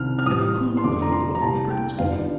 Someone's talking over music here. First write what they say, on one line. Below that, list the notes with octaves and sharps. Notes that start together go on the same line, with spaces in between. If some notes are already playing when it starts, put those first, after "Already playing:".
Had the cooling of the globe produced it?
Already playing: C2 C3 D#3 F6
F6
A1 A2 G3 D#6
C6
G1 F2 D3 F3 A3 D6
A#5
C6
A#5
C2 A#2 G3 A5
G5
G1 G2 D#3 F5